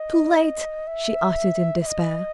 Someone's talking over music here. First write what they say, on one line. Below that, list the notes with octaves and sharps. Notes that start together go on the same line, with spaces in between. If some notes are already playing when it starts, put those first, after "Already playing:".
"Too late," she uttered in despair.
Already playing: D#5
E5
E5
D#5